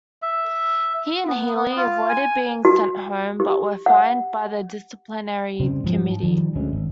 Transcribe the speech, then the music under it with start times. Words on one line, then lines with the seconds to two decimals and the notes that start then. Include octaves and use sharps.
He and Healey avoided being sent home but were fined by the disciplinary committee.
0.22 E5
1.27 B3
1.56 B3
1.76 F4
2.09 G#5
2.65 F#4
3.40 G4
3.86 F#5
5.60 C#3 G3 C4
5.84 G#2 F3 F#3
6.23 D#3 F3 G3
6.56 D2 G#3 C#4
6.73 G#1